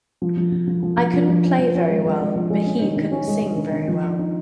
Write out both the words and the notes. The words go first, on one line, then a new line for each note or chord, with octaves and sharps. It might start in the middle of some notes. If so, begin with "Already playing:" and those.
I couldn't play very well, but he couldn't sing very well.
F3
F3
F3
F3
F3
F3
F3
F3
C#4
F3
C#4
G#3
G#3
G#3
F3
G#3
C#4
D#3
D#3
C#4
G#3
G#3
D#3
D#3
F3
D#4
D#4